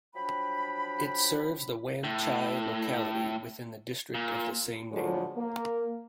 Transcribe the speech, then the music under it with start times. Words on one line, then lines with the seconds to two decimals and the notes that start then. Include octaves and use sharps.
It serves the Wan Chai locality within the district of the same name.
0.15 F3 F#3 D4 G5 B5
2.04 A2
4.15 A#2
4.91 A2 D3 F3 F#3 G#3
5.36 A#3